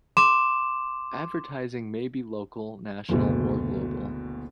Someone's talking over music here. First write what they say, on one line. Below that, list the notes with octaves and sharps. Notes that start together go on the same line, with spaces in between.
Advertising may be local, national or global.
C6 D6 E7
F#1 D2 B2